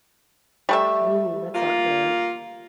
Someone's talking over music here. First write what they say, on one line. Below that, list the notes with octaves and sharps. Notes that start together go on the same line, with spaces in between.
Ooh, that's not good.
G3 A3 E5
A#3 F4